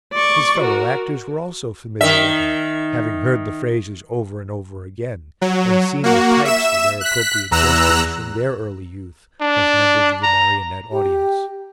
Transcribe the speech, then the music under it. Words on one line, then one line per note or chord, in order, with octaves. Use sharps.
His fellow-actors were also familiar with them, having heard the phrases over and over again, and seen the types with their appropriate gestures from their early youth as members of the marionette audience.
D5 C#6
F#4 A#4
D#3 E5
F#3
A#3 F#4
E5 E7
F#6 B6
E2 A#5 E6 F#6
D4
A#5
G4